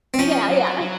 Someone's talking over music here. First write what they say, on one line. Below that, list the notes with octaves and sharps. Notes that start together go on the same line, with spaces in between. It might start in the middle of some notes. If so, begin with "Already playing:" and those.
Yeah, yeah.
C4
F3 C#4
F#3
F#3